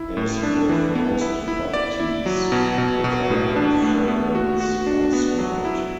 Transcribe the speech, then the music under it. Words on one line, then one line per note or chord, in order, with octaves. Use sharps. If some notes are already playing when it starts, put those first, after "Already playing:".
As with most bud teas, the color and fragrance are slight.
Already playing: E4
A2
D4
E3
B3
E4
E4
D5
E4
F#3
B2
B2
B2
A2
D4
A3
B3
F#4
F#4
D4
B3
F#3
E4